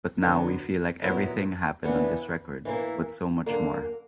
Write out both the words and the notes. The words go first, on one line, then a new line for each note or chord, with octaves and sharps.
But now we feel like everything happened on this record, but so much more.
D2 D3 F#3 B3
A#2 F#3 B3 E4
C#3 E3 B3 D4
E3 G3 A#3 E4
F#2 D3 A#3